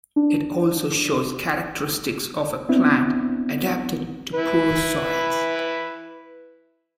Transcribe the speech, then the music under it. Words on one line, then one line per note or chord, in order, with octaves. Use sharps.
It also shows characteristics of a plant adapted to poor soils.
D4
B3 C4 D4 E4
E4 B4